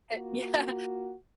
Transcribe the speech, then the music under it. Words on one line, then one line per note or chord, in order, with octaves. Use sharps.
Eh yeah,
A#3 F4 F#4